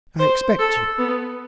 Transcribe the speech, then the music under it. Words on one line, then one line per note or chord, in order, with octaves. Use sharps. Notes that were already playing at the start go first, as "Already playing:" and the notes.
I expect you.
C5
A4
B3